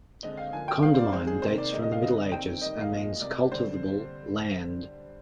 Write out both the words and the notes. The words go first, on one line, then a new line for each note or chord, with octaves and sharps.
"Condamine" dates from the Middle Ages, and means cultivable land.
D3 G#3 C4 D#5
F5
D3 F3 A#3 G#5
G5
D#3 G3 C4 F5
C5
D5
D#3 G#3 C4 C5
G#4
C3 D#3 A#3 C5
D5
C3 D#3 G#3 D#5
D#5
F5
D3 G3 C4 D#5
D#3 G3 C4 G5
D#3 G3 A#3 D#5
F5
A#2 F3 G#3 D#5
C3 G3 A#3 D5
D3 G3 C4 C5